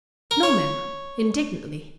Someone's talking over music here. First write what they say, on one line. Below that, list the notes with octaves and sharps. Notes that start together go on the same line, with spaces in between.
"No, ma'm," indignantly.
A#4
C#5